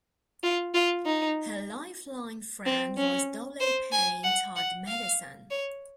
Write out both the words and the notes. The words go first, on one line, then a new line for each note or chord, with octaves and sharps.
Her lifelong friend was Dolley Payne Todd Madison.
F4
F4
D#4
C4
C#4
C5
G#5
F#5
F#5
F5
C#5